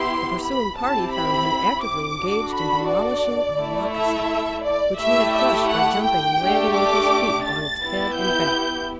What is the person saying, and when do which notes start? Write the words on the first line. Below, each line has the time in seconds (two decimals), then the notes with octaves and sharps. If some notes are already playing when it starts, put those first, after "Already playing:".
The pursuing party found him actively engaged in demolishing a moccasin, which he had crushed by jumping and landing with his feet upon its head and back.
Already playing: B3 E4 G4 C6
0.42 B5
0.77 C4 E4 G4 A5
1.12 B5
1.82 D6
2.18 D4 F#4 A4
2.52 B5
2.88 D5
3.58 A3 E4 A4
3.93 E5
4.64 D5
4.99 A3 E4 G4 E5
5.34 E5
5.69 F#5
6.04 G5
6.39 A3 D4 G4
6.74 D6
7.45 A6
7.80 B3 E4 G4
8.15 G6